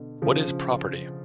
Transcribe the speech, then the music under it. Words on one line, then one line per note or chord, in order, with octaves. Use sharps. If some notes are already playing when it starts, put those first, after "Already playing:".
What Is Property?
Already playing: B2 D3
C#3 F3